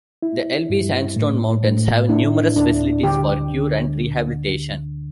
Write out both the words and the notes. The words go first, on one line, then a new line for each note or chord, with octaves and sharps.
The Elbe Sandstone Mountains have numerous facilities for cure and rehabilitation.
E4
G2
A2
A2
D4 E4
D2 D4
D3 G4
D3